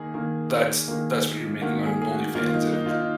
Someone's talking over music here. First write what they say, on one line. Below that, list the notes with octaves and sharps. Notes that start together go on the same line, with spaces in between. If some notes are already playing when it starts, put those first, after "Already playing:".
that's that's what you're making on OnlyFans, and
Already playing: D#3 A#3 G#4
D#3 A#3
D#3 A#3
D#3 A#3 F#4
G#4
G#4
F#4
D#3 A#3 F4
F4
D#4
D#4
F4
D#4
D#4